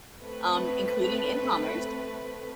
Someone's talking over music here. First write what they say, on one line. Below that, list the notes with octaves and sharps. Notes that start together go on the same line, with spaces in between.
um, including in commerce
A3 C4 B4